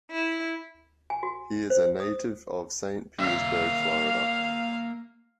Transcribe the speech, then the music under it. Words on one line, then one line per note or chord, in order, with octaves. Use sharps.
He is a native of Saint Petersburg, Florida.
E4
G#5
F#4
C5
D#6
A#3 E5 F5